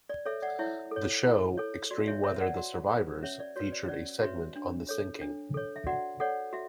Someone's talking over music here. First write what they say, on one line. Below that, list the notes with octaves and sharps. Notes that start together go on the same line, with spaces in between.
The show Extreme Weather: The Survivors featured a segment on the sinking.
D5
A4 C#5 E5
D5 F#5
E4 C#5 E5
A4 C#5
E4
A4 C#5
F#4 D5
C#5 E5
B4 C#5 E5
D5 F#5
F#4
B4
C#4 C#5 E5
D5
F#4 B4 C#5
D5
C#4 D5
F#4 B4 C#5 E5
D4
A4 C#5
D4
A4 C#5
E5
F#4 D5 F#5
A4 C#5 D5 F#5
F#4 E5